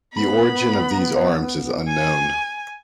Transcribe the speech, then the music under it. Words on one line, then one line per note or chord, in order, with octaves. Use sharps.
The origin of these arms is unknown.
B3 B5
G#5